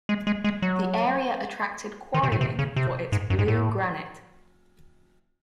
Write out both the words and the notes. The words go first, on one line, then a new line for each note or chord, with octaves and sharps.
The area attracted quarrying for its "blue granite".
G#3
G#3
G#3
F#3
D#3
C3
A2
C3
C#3
C3
G#2
F#2
G#2
A2